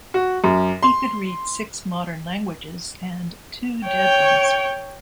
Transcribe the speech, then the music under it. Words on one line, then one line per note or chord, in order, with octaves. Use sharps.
He could read six modern languages and two dead ones.
F#4
F#2
C6
C#5 G5